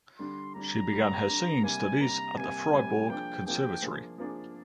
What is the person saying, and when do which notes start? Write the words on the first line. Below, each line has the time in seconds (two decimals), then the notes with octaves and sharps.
She began her singing studies at the Fribourg Conservatory.
0.18 D3 G3 D4 C6
0.55 D3 G3 D4 A#5
0.92 D3 G3 D4
1.27 D3 G3 D4
1.64 C3 G3 A#3 G#5
2.00 C3 G3 A#3 A#5
2.36 C3 G3 A#3 G#5
2.73 C3 G3 A#3
3.09 F3 A#3 D4 G#4 G5
3.45 F3 A#3 D4 G#4 G5
3.82 F3 A#3 D4 G#4
4.18 F3 A#3 D4 G#4